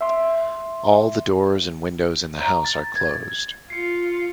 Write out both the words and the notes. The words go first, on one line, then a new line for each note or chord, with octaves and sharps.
All the doors and windows in the house are closed.
E5 C6
A#5
A6
A6
G#6
F4 C7 C#7